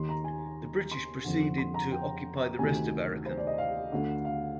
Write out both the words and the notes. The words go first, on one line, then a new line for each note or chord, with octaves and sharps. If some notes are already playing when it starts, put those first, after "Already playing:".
The British proceeded to occupy the rest of Arakan.
Already playing: D#2 D#3 C6
A#5
G#5
C6
F2 D3
C6
A#5
G5
D2 C3 D#3 G#5
C5
D5
D#5
F5
D2 D3
F5